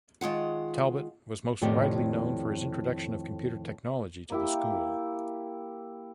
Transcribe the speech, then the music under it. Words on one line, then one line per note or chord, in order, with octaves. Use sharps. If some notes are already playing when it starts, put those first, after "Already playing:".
Talbot was most widely known for his introduction of computer technology to the school.
D#3 G#3 F4 F#5
F2 A2 D#3 B3 G4 D5
A#3 E4 G4